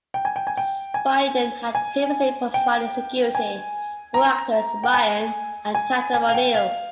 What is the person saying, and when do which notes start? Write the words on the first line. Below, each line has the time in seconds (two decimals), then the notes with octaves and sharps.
Bindon had previously provided security for actors Ryan and Tatum O'Neal.
0.14 G5
0.25 G#5
0.36 G5
0.47 G#5
0.57 G5
0.94 G#5
1.75 G#5
2.54 G5
3.35 G#5
4.14 A#5
4.84 G5
4.94 G#5
5.75 G#5
6.14 G#5
6.29 F5
6.35 G5
6.54 F5